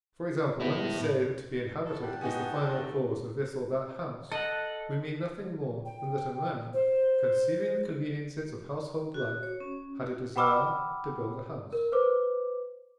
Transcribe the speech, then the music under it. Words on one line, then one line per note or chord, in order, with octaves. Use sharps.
For example, when we say that to be inhabited is the final cause of this or that house, we mean nothing more than that a man, conceiving the conveniences of household life, had a desire to build a house.
B3 E4 A4 B5
A2
E3 E4 A4 C#5 A5
C3 D#3 G3 G4 F#5 A5
C#3 G#3 B3 D#4 F#4 G#5
G#4 A4
D3 A3
A4 D#5 F#5
G5
C5
F#4
C#5
C#4
F#5 G5 B5 D6 E6 F6
A#4
B4 C5 D6